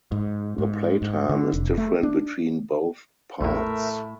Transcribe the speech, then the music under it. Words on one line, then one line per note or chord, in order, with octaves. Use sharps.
The playtime is different between both parts.
G#2
G#2
G#2
D3
F1
A3
D4
A#1 E2 A2 A3 A#4 E5